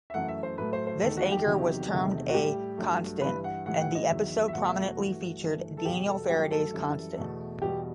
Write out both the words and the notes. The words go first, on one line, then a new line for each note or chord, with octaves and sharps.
This anchor was termed a "constant," and the episode prominently featured Daniel Faraday's constant.
E5
F#2 E3 A3 F#5
E5
C5
A2 F#3 A3 B4
C5
C5
E2 D#3 A3 A4
F#4
G4
E2 C3 D#3 F#3
E2 C3 D#3 A3
F#4
A2 G3 G4
G2 F#3 A3
G2 E3 G3 B4
F#5
A2 E3 G3 F#5
G5
F#5
D#5
E2 D#3 F#3 E5
E5
E2 B2 F#3 A3 F#5
E5
F#4
G2 E3 A3
G2 E3 A3
A4
E2 B2 G3 G4
A4
G2 F#3 A3 G4
A4
F#2 E3 G3
E2 B2 A3
E2 B2 G3 G4